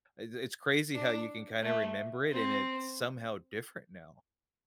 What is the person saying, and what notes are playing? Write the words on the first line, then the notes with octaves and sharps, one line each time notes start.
uh, it's crazy how you can kinda remember it, and it's somehow different now.
D4
A3
C4